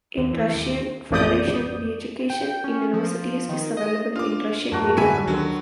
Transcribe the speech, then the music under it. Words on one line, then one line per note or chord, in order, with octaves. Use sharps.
In Russian Federation the education in universities is available in Russian medium only.
D#2
E3
D#2
A1 F2 D5 D#6 G6
G5
C#4
F3
D#3
D#5
D4 F4 D6
F2 G#2 A3 A#3 F#4 A#4
D3 B4 E5 G#5
D2 D3 D#3 F#3